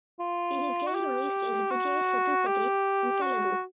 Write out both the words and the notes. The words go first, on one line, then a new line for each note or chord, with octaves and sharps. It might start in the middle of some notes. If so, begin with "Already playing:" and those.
It is getting released as "Vijay Sethupathi" in Telugu.
F4
F#4
G4
F#4
G4
F#4